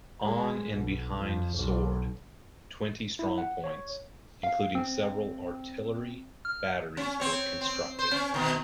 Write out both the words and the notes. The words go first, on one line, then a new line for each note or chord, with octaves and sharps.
On and behind Sword, twenty strongpoints, including several artillery batteries, were constructed.
G#3
B1
F2
B1
E4
F#5
C#5
F5
C4
F6
C#4
C4 C#5
C4
C5
C#4
B2 D#3